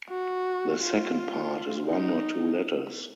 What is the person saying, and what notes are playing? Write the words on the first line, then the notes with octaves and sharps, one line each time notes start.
The second part is one or two letters.
F#4
F4
D#4